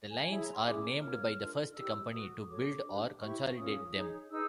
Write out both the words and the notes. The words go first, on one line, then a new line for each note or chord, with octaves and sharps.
The lines are named by the first company to build or consolidate them.
G#5
E4 G#4 C#5 A5
A#5
C6
C#4 E4 G#4 D6
F4 A#4 C#5 F6
D4 F4 A#4
E4 G4 A#4 E6
F#4 B4 D#6
F#4 A4 C#5 D6
D4 G4 A#4
E4 G4 C5 C#6
C#4 F4 A#4 D#6
D#4 G#4 C#5
D#4 G#4 B4 E6